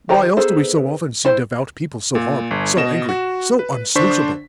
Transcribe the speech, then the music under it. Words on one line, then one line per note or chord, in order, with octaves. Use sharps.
Why else do we so often see devout people so hard, so angry, so unsociable?
D#3 G4 C5 A#5
B3 D#4 G#4 A4 C5
E4 C5
A#2
G1
B2 D#5 E7
F#4
B4
D3 D4 C5 C#6 B6